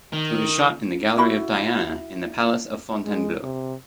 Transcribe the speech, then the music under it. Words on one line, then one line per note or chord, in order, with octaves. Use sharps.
It was shot in the Gallery of Diana in the Palace of Fontainebleau.
D#3
E4 F#4 B5
G#3
C3